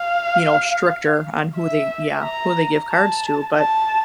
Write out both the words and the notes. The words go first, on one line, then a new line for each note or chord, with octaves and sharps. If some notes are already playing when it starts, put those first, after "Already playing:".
you know, stricter on who they Yeah, who they give cards to, but,
Already playing: F5
E5
A#5
A5
A5